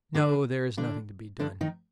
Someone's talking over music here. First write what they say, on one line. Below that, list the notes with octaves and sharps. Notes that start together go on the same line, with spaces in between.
No, there is nothing to be done.
D3 D4
D3 D4
D3 D4
D#3 D#4